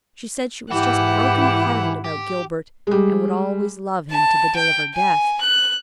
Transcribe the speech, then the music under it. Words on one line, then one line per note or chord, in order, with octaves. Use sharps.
She said she was just broken-hearted about Gilbert, and would always love him to the day of her death.
G#2 E3 E4 G4 F#5
G4
G3 G#3
A5
G5
G#5
F#6